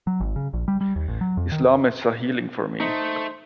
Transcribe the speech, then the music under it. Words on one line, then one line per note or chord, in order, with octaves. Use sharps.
Islam is a healing for me.
F#3
G#1
C#3
A#1
G3
G3
D#2
A1
F#3
F2
D#3
A3 D#4 C5